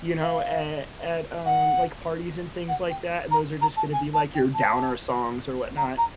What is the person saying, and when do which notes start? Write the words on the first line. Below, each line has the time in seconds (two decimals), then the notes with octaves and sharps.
you know, at at, um, like, parties and things like that, and those are just gonna be, like, your downer songs or whatnot,
0.22 F5
1.45 F#5
2.68 F#5
2.89 G5
3.31 A#5
3.61 A#5
3.76 A5
3.92 G#5
4.13 A5
4.34 G5
4.54 A5
5.77 A#5
5.98 A#5